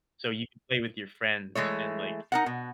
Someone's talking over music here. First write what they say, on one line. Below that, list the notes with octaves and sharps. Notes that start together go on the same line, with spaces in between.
So, you can play with your friends and, like,
E3 G#3 A3 C#5
D#4 A#4 F#5
B2